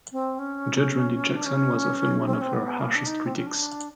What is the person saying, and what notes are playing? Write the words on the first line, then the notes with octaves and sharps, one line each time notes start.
Judge Randy Jackson was often one of her harshest critics.
C4
C#4
D4
C#4
C4
C#4
C4
B3
A#3
D4
D#4
C4
C#4
D4